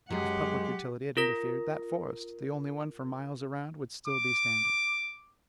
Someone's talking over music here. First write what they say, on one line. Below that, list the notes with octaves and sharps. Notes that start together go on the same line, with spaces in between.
If public utility had interfered, that forest--the only one for miles around--would still be standing.
F#2 F#3 G#3 G4 G#4 F#5
F4 A#4 A#6
D6